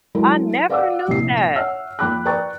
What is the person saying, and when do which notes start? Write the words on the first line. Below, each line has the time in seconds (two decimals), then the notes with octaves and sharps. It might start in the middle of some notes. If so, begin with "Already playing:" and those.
I never knew that.
0.15 F#3 G#3 E4 A4 A#4
0.69 B4 D5 F5 F#5 D6 E6
1.08 A#1 A2 C3 A#3 C7
1.55 C#5 E5 F#5 E6 F6
1.99 F2 A#3 G5 B5 D6 F#6
2.25 B4 D5 G5 A#5 C#6 A6